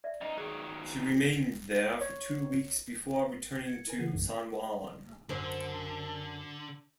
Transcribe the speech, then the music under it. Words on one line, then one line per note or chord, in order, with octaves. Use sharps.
She remained there for two weeks before returning to San Juan.
D5 E5
F#2 D#4
D#3 F#3 G#4
C#5
G#6 C#7
E4 A#4 B4 G#5
C#3 E3 A#3 G#4 F#5 D#7
B1 F#2 G#3 D4
F#2 D3 C5